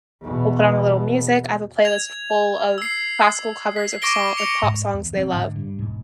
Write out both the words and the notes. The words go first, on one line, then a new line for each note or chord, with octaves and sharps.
we'll put on a little music. I have a playlist full of classical covers of song like pop songs they love
E2 B2
G#6 F7
E6 C7
B6
C#6 D6 A#6 D7 G7
C#7 F7
G#2
E2
E1 F3 C4
G#2 D3
G2
E1 G#2